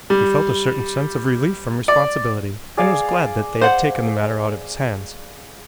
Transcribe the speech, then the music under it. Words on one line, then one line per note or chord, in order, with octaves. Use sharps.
He felt a certain sense of relief from responsibility and was glad that they had taken the matter out of his hands.
G3
D5
G#4 D5 F5
C5 F#5